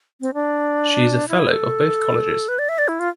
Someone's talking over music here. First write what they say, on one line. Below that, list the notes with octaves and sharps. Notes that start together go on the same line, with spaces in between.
She is a Fellow of both colleges.
C4
D4
E4
A4
B4
D5
E5
D5
E4
F4